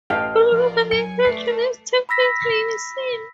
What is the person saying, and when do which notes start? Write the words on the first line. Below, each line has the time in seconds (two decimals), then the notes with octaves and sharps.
All over the country these temples may be seen.
0.10 A1 A4 B4 D#5 F5 G5
0.52 F3 F4 A#4 D5
0.91 F#3 G#5 C#7
1.25 A3 B4 D5 C7
2.09 B5 E6 A#6 B6